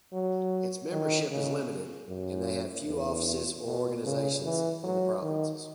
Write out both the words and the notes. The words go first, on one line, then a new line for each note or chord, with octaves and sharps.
Its membership is limited, and they have few offices or organizations in the provinces.
F#3
D#3
C#3
F#2
E2
B2
C#3
E3
F#3
D#3